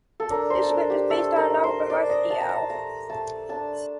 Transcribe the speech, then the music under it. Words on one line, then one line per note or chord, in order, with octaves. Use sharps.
The script is based on a novel by Margaret Diehl.
A4
D4 A#4
C5
A4
D4 A#4
G4
A3 A4
A#4
A3
C5
D4 D5
D#5
D4 A5
A#5
A5
A3 A#5
A3 A5
D4 A5